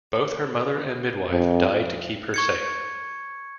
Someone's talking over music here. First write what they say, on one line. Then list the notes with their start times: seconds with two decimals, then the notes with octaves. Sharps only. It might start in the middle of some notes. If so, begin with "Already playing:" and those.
Both her mother and midwife died to keep her safe.
1.30 F2
2.34 C#6 G#6 C#7